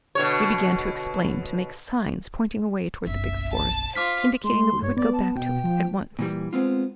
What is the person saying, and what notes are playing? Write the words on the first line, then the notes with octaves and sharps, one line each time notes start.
We began to explain, to make signs pointing away toward the big forest--indicating that we would go back to it--at once.
B2 D3 C#5
F#1 B1 E5
A5
F4 C5 D6 F6 B6
G#3 C6
G2 C#5
B3 D5
A5
B2 G5
F3
A#2 E3 G3
G#3 B3 C4 F4